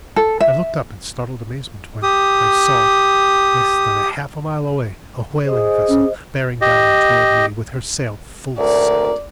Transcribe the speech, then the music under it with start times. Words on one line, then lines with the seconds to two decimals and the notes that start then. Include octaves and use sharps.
I looked up in startled amazement, when, I saw, less than a half-mile away, a whaling-vessel bearing down toward me with her sail full set.
0.16 A4
0.40 E5
2.03 G4 D#6
5.45 G#4 C5 D#5
5.89 C#4
6.61 G4 D#5
8.58 G#1 D2 A#4 D5